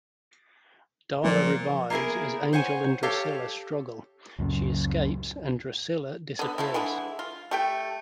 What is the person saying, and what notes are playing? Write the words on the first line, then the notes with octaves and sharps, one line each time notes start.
Darla revives as Angel and Drusilla struggle; she escapes and Drusilla disappears.
A#2 F3
A#3 B3 E4 G#4 A#4
C5 C#5 F#5 G#5
G4 A4 C#5 F5
C#2 F#2 A#2 C#3
D3 B3
F3 A3 E4
D3 E3 G#3 E4
F4
A3 G4 G5